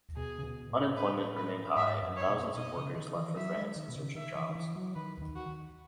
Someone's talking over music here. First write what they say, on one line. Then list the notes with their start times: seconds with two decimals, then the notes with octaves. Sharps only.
Unemployment remained high, and thousands of workers left for France in search of jobs.
0.16 B2 G#4
0.38 C#3
0.43 B2
0.70 A2
0.96 B4
1.36 B4
1.76 G#2 E5
2.02 F#2
2.16 C#5
2.29 B2
2.56 B2 D#5
2.76 C#3
2.96 D#3
3.15 E3
3.36 F#3 E5
3.56 G#3
3.76 D#3
3.88 B2
3.96 C#3
4.15 D#3 E5
4.35 E3
4.49 D#3
4.55 E3
4.76 F#3
4.95 D#3 B4
5.22 D#3
5.36 F#4